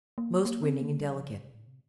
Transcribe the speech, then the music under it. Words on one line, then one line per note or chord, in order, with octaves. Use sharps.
"Most winning and delicate."
A#3
A#3
C4
A#3
G3
F3
D3
C3
A2
C3